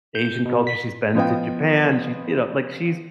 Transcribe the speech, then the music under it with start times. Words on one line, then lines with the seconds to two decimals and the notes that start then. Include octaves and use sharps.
Asian culture. She's been to Japan. She, you know, like, she's
0.15 G6
0.45 B2
0.67 B6
1.15 F3 B3 D#5 F5 G5